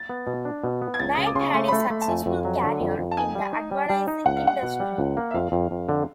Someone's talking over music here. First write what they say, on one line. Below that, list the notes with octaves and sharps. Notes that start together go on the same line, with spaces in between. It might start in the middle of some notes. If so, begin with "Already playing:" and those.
Knight had a successful career in the advertising industry.
Already playing: A6
B3
B2
D4
B2
B3
G#6
C#2 A6
C#3 D#6
D6
C#3 C6 C#6
A3 C6
B5
A3
B5
A3
A5
F2 G#5
F2
F#3
D3
F2
F2
A5
D#4 G#5
G3
D#4
G3
G3
D#4
C#2 F#5
F5
G3 F#5
B2
G3
C#2
A#3
E5
F2 F5
F2
F2
D3